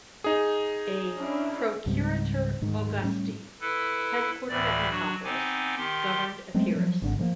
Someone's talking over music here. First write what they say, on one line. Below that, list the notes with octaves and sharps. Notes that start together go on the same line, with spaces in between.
A "procurator Augusti" headquartered at Nicopolis governed Epirus.
D#4 G#4
C#4 D4 E4
C#2 G#2 G3 C4
D1 G#2 D#3
A2 G3 C#4
E4 A4 B4
D2 A2 E3 D5 A6
F#3 D4 F#4
B3 C4 D#4 G#5 D6
D#3 G4 C6
F#3 G#3 A3 C4
F3 F#3
G#1 D3
F3 G#3 A#3